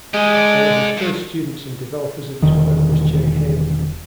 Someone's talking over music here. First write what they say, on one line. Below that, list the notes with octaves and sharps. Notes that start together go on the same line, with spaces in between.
One of his first students and developers of his work was Jay Haley.
G#3 G4 D#5
A4 D5
G2
E1 D3 D#3